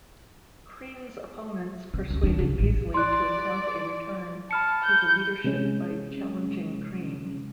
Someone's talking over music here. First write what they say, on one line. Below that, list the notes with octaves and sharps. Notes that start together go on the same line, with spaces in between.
Crean's opponents persuaded Beazley to attempt a return to the leadership by challenging Crean.
C3
C#2
E3 D4
C#3
A1 D2
D5 C6 F#6
A5 B5 F6 C#7
G6
C3 G#3 C#4